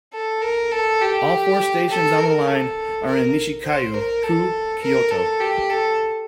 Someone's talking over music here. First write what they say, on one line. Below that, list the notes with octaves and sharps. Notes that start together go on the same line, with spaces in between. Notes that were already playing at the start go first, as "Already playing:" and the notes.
All four stations on the line are in Nishikyo-ku, Kyoto.
A4
A#4
A4
G4
A4
A#4
A4
A#4
C5
A#4
A4
A#4
A4
G4
A4